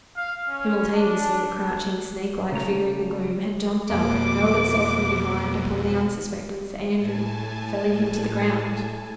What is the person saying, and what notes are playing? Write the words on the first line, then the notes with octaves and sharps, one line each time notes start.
Simultaneously the crouching, snake-like figure in the gloom had jumped up and hurled itself from behind upon the unsuspecting Sir Andrew, felling him to the ground.
F5
C#4
D4
C#3 A3 A#5
F2 B2 A#3 D6
A2 G#5 A5